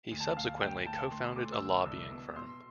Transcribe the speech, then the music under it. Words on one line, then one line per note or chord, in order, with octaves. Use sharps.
He subsequently co-founded a lobbying firm.
D2
A5
D2 F5
D2 G5
D2 A5
D2 C6
A3 D6
E6
D3
C2 E6
B2
B2 C6